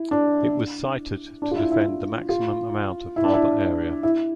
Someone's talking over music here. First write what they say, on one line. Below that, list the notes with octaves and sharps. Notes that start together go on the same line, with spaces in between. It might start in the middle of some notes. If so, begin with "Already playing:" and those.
It was sited to defend the maximum amount of harbor area.
Already playing: E4
D4
D4
F4
E4
E4
E4
F4
E4
D4
E4
E4